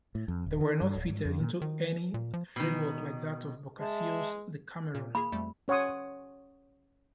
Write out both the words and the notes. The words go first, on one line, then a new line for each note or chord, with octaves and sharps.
They were not fitted into any framework like that of Boccaccio's "Decameron".
A2
F2
D#1
D#3
G2
D1
G#2
F2
A#2
D#3
A#2
F3
B2 D#3
G#3 E5 A5
A#2
A#3 G#4 B5
F2 G3 A3
C#4 C#5 F#5 C6 D#6